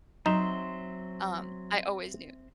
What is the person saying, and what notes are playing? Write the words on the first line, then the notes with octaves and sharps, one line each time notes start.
um, I always knew,
F#3 C4 D#4 E5 C6